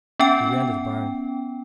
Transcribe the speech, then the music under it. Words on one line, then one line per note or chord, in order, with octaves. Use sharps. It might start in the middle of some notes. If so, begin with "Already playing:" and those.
We ran to the barn.
B3 C#4 G5